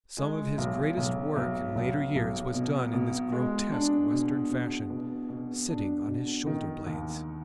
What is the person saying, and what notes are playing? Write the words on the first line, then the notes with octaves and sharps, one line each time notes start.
Some of his greatest work in later years was done in this grotesque Western fashion,--"sitting on his shoulder-blades."
G#3
B1
B1
B1
B1
B1
B2
B2
G#3
D4
B2
B2
B2
B2
D4
B2
D#3
D#2